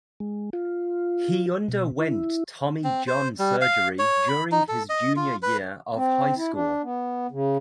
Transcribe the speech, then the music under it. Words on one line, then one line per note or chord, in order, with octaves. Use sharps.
He underwent Tommy John surgery during his junior year of high school.
G#3
F4
B2
E4
C4
C5
G3
F5
C#5
B5
D#4
A4
D#5
F4
B4
C4
E4
D4
B3
C#3